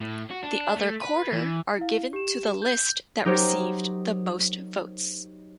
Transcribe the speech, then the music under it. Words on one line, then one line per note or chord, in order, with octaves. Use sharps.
The other quarter are given to the list that received the most votes.
A2
F#4
D4
A3
B4
E3
E4 F5
G4 E7
G6
F#3 D#4 G4 A#4 C5 C#5